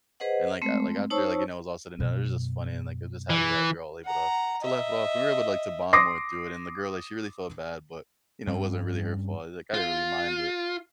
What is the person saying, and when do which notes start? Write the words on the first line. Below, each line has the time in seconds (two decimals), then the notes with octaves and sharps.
and, like like, after, like, you know, it was all said and done, it was just funny, and, like, I'm just happy that we're all able to to laugh it off, and we were able to, like, to bond more through it, and the girl, like, she really felt bad, but, you know, it wasn't really her fault, like, I didn't really mind it.
0.20 G#4 B4 C5 D#5 F#5
0.62 G#3 A3 C4
1.10 D#4 C5 C#5 A5 C#6 E6
1.99 F#2 B2
3.30 E3
4.04 F#5 A#5
4.61 D#5 E5
5.93 C6 D6 D#6 A#6 C7
8.47 G2 G3 C4 C#4
9.74 F4